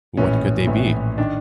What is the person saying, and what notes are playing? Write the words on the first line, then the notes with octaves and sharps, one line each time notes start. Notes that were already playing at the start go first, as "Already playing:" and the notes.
What could they be?
A#1 A2 E3 C#4
A#1 A2 E3
D#3 D4